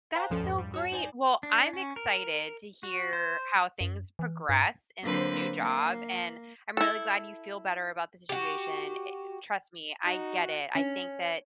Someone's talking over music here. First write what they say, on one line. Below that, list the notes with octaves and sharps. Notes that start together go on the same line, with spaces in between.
That's so great. Well, I'm excited to hear how things progress in this new job, and I'm really glad you feel better about the situation, i it trust me, I get it. I think that
C5 F5 G#5 A#5 F#6
D2 G2 F3 C#4 A4
F2 G#2
G3
F#4 C#5 A5
D#4 C5 D5 G#5
D4
C#4
A#4
F#4
C5
F#2
E3
G2
D3 F#3 A#3 C4 B4 C5
A#3
E4 A4
F#4 G4
D#4 F#4
C#4